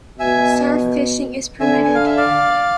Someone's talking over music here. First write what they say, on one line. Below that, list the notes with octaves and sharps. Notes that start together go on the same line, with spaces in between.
Surf fishing is permitted.
B2 E5 G#5
D3 E5 G#5
G#5
F5
E5
D5 F5